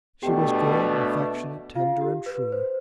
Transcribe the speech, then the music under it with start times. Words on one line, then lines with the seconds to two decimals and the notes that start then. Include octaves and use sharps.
She was good, affectionate, tender, and true.
0.23 B2 A3 D4 G4 G5
1.75 F4 F5
2.01 G4
2.26 B4
2.52 C5